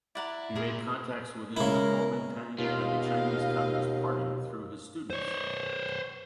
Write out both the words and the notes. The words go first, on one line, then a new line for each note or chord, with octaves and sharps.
He made contacts within the Kuomintang and the Chinese Communist Party through his students.
E4 D5 F#5 A#5
A#2 G#4 A#4
C#3 G#3 E4 A#4
D#2 B2 F4 D#5 F5
C5 C#5